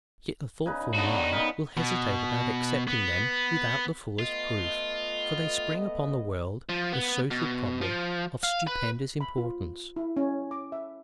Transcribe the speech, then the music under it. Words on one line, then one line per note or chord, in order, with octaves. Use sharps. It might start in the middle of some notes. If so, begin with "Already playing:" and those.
Yet the thoughtful mind will hesitate about accepting them without the fullest proof, for they spring upon the world a social problem of stupendous importance.
C#3 D#4 B4
D3 B3 D#4 F#4
D#3
C#3 B3 D#4 A#4
B2
B3
A3 B3 F4 D#5
F3
B3
B2
F3
F5
B4
B5
F4
E4
C#4
D6
E5